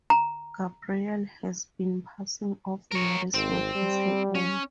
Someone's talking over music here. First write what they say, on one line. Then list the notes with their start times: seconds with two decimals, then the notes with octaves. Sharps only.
Gabrielle has been passing off Mary's work as her own.
0.10 A#5
2.91 A#4 C#5
3.34 G#1 C4
3.75 G3
4.35 C#4